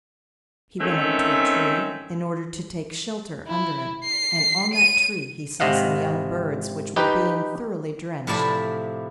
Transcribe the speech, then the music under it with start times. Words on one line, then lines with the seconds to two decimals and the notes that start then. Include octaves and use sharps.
He went up to a tree in order to take shelter under it, and on that tree he saw some young birds which were being thoroughly drenched.
0.80 G#2 D#3 A3 C4 C#4 E5
3.47 E4
4.04 C7
4.74 D#7
5.60 G#1 C3 D#5 F5 F#5
6.96 D#4 G4 B4 G5
8.27 A2 C3 F3 E4 D5 B5